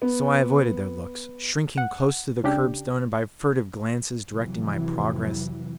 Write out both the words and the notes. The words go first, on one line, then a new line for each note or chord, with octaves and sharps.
So I avoided their looks, shrinking close to the kerbstone and by furtive glances directing my progress.
B3
F#5
C#2 C#3 D4 G4
F2 C3 E3 F#3